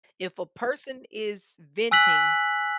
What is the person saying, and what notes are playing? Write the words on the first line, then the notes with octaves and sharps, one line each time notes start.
If a person is venting,
G#5 E6 F#6 B6 F#7